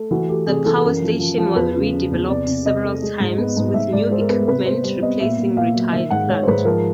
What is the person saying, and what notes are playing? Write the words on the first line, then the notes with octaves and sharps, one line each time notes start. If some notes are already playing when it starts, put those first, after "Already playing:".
The power station was redeveloped several times with new equipment replacing retired plant.
Already playing: A3
E3 F#4
A3 G4
C3 G#4
E3 A4
A4
F#2 A#4
F3
F3
F3
E2 B4
C#3
C#3
E2
C3 D5
C3
C3 D#5
A3
G#3
G#2
B3
G#2
G#2 E5
G#2 D5
G#3 C5
A#4
B3 B4
C3 B4
B3 C5
G3 C5
B3 D#5
A#2 E5
A#2
A#2 F5
F#3
D#3 E5
G#2 F#5
G#2 C#5
C5
G#2 B4
F3 A#4